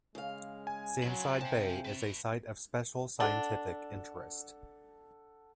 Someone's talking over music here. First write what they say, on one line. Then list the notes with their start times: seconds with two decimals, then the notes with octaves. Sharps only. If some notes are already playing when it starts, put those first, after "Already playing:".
Sandside Bay is a Site of Special Scientific Interest.
0.15 C#3 G#3 F5
0.67 G#5
1.02 F#3 E4 F4
1.41 C3 F5 G5 A5
1.85 B4 A5
3.20 D4 A4 F#5 G7